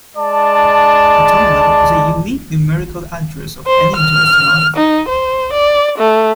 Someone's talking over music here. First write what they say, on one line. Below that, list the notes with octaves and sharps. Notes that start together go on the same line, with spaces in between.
A tumbler is a unique numerical address of any interesting artifact.
G#3 D5 A5
C5
F6
D#4
C5
D5
A3